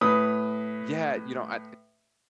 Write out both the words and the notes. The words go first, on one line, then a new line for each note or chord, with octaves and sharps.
Yeah, you know, I
A2 B4 D#6